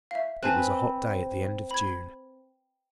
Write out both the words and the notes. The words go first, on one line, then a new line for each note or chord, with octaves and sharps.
It was a hot day at the end of June.
E5 F5
C4 B4 C5 G#5 A5 F#6
B5 G#6